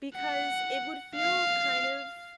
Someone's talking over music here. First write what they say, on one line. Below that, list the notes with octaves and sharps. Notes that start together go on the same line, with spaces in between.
because it would feel kind of
F#5
F5